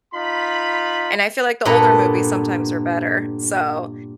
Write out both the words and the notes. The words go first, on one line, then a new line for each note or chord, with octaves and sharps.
and I feel like the older movies sometimes are better, so
D#4 F4 B5
G2 A#2 B3 A4 B4 A#5